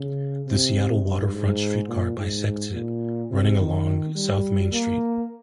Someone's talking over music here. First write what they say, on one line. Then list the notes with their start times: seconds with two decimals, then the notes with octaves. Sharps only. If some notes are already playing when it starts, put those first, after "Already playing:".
The Seattle Waterfront Streetcar bisects it, running along S. Main Street.
Already playing: C#3
0.47 C3
1.03 G2
1.32 G#2
1.89 A#2
2.17 G#2
2.74 A#2
3.30 C3
3.59 D#3
4.16 G3
4.73 A#3